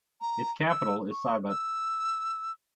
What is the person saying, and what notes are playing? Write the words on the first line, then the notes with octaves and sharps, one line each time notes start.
Its capital is Sibut.
A#5
E6
C#6
E6